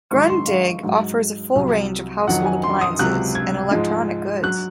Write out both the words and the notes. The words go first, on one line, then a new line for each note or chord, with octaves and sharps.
Grundig offers a full range of household appliances and electronic goods.
G#2 D#3 F#3 C#6
C6
F5
G#2 F#3
C2 C3 F#3
F2 D#3 F#3 F#5
G#5
C6
D#6
C#2 C3 F#3 F#6
G#6
G#2 F3 G#3
F#3 F#6